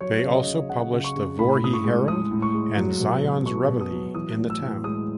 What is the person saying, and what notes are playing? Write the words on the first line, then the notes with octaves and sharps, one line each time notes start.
They also published the "Voree Herald" and "Zion's Reveille" in the town.
F#3 C#5
C#3
D#5
C#3
C#3 F#5
C#3
C#6
C#3
A2 B5
A2 D#6
C#6
G#3
G#3 D#6
A2
C#6
G#3
F#3
B2
B2
B2 C#6
B2
D#6
F#3
E3 D#6
A2
E6
A2
G#3 D#6